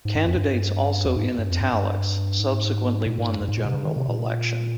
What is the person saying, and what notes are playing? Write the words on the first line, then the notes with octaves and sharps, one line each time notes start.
Candidates also in "italics" subsequently won the general election.
G#2
G2
F2
G2
F2
G#2
G2
F2
G2
G2
G#2
A#2
G#2
G2
G2
G#2
A#2
C3
C#3
D#3
C3
A#2